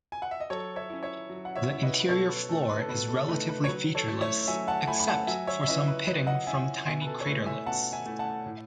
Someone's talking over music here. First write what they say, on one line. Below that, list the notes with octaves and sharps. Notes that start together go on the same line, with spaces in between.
The interior floor is relatively featureless, except for some pitting from tiny craterlets.
G#5
F#5
E5
D#5
F#3 A4 C#5
C#5 E5
C#4 E4
C#5 E5
F#3
F#5
C#5 E5
C#4 E4 E5
B4 D#5
B4
B2 A4 C#5
B4
A3 D#4 A4
B4
A4
B2 B4
A4
A3 D#4 B4
B4
C#5
F#3 B4
A4 C#5
A3 E4
C#5 E5
F#3 E5 G#5
F#5 A5
A3 E4 G#5 B5
B5
F#5 A5
F#3 E5 G#5
C#5 E5
E5
C#4 E4 B4 D#5
B4
F#3 B4 D#5
D#5 F#5
C#4 E4 E5 G#5
B2 E5 G#5
B4
A4
C#5
A3 E4 B4
E5 G#5
B2 F#5 A5
E5 G#5
A3 E4
F#5 A5
A2